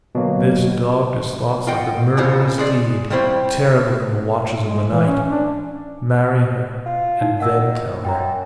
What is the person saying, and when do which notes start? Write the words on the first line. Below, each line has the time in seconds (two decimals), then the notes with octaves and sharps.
This dogged his thoughts like a murderer's deed, terrible in the watches of the night. Marry her, and then tell her.
0.15 B2 D3 F#3 A#3
1.67 F4 D#5 F#5 G5
2.17 D#2 A2 C#3 F4 C5 C#5
2.58 G#3 G#4 D5
3.10 F3 G3 C4 E4 C5 C#5
4.65 G#3
4.91 E3
5.07 C#4
5.30 D4
6.86 F4
7.21 D#4 E4
7.40 D#3 F#5 E6
8.04 F#2 G5 A#5